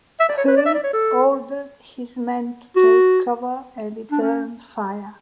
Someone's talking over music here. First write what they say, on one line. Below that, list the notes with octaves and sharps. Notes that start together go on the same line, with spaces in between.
Heard ordered his men to take cover and return fire.
E5
D5
C#5
B4
D5
E5
D5
C#5
A4
F#4
D4
C#4